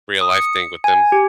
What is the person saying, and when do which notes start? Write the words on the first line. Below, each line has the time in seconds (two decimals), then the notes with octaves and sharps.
real life thing with them.
0.21 D#6
0.34 C#7
0.84 G#5
1.12 G4